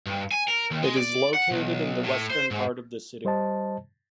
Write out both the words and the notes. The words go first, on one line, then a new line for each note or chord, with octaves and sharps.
It is located in the western part of the city.
G2
G#5
A#4
D#2
G#3
D5
F#5
B1
A2
C5
G#2
G3 C5 D#5 A5